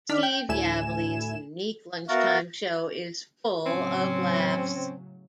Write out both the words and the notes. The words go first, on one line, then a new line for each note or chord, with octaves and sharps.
Steve Yabsley's unique lunchtime show is full of laughs.
D#3 D4 D5 F6 B6
G5
D2 A2 E4 G#5 E7
B3 F#4 A#4 E5 F5 A6
A2 C#3 F#3 C4 C#4